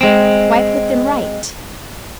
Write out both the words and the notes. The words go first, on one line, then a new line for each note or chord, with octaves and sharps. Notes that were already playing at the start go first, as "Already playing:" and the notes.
Why put them right?
G#3 C4